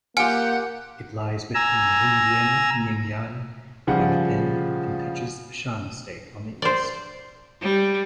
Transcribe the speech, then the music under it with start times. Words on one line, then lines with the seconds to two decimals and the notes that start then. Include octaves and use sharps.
It lies between Wundwin, Myingyan, Yamethin, and touches Shan State on the east.
0.17 A#3 F4 G4 F#5 G#5 F6 C#7
1.55 G#5 A#5 E6
3.87 C#3 F3 G3 F4 F#5
6.62 C5 D5
7.61 G3